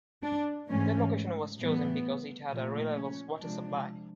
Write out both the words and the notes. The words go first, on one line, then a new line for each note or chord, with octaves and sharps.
The location was chosen because it had a reliable water supply.
D4
G#2 E3 A3 C#4
A2 E3 G3 B3
A#2 F3 A3
C#4
C3 F3 G#3 D4